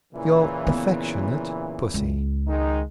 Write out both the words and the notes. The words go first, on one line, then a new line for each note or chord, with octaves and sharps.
Your affectionate Pussy.
A#2 C#3 E3
B3
C#2
D#3 G#3 D#4